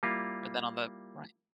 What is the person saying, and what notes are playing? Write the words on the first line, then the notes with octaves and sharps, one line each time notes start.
or than on the right.
G3 A#3 E4 F4